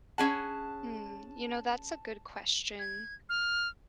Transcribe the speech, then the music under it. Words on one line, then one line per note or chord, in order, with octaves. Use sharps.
Hmm, you know, that's a good question.
C#4 G#4 F#5 A5
G#6
F6